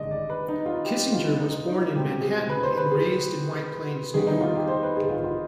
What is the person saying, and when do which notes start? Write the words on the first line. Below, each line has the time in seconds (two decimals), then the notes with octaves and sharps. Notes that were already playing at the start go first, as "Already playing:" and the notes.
Kissinger was born in Manhattan and raised in White Plains, New York.
Already playing: D#3 G#3 D4 D5 D#5
0.11 D5
0.30 B4
0.49 D#4
0.66 F4
0.85 G4
1.13 F4
1.40 D#4
1.67 D#4
1.94 B2 G#3 C4 G4
2.21 G#4
2.49 B4
2.63 C5
2.77 B4
2.91 G#4
4.14 D#3 G3 B3 D#4 G#4
4.27 D#4
4.41 F4
4.55 G4
4.68 C5
4.83 B4
4.96 G#4
5.11 F4
5.24 F4